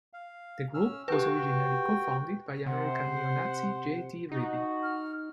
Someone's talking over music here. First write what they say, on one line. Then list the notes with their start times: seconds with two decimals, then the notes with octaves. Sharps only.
The group was originally co-founded by American neo-Nazi, J. T. Ready.
0.13 F5
0.74 C#4 E6 F6
1.08 F#4 G4 B4 G5
2.66 C3 C5 F#5
4.32 D#4 F#4
4.83 F6